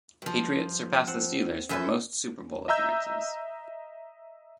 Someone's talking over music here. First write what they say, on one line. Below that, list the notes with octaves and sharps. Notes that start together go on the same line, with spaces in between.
Patriots surpass the Steelers for most Super Bowl appearances.
G2 F3
C4 F#5
F#2 A4 B4 C5 E5 G#5
D#5 E5 A#5 E6 G6